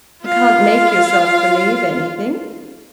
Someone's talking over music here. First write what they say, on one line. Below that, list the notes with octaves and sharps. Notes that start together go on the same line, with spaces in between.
You can't make yourself believe anything.
F4 F5